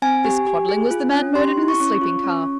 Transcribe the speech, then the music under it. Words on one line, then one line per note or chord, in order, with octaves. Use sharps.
This Quadling was the man murdered in the sleeping-car.
C4 G#5
G4
G4
G#4
F4
C#4
G4 C6
E4
C#6
C#4
F4
C#4